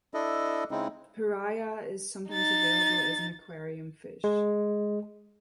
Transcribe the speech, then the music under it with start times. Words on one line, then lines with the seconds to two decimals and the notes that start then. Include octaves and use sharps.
The piraya is sometimes available as an aquarium fish.
0.14 D4 E4 A4 D#5
0.71 C#3 G#3 C4 D#4 E4
2.30 D#4 A6
4.24 G#3